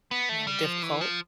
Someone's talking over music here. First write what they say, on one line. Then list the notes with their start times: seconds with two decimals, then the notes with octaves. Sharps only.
you know, difficult.
0.11 B3
0.29 A3
0.47 G3
0.64 F3
0.83 E3
1.01 F3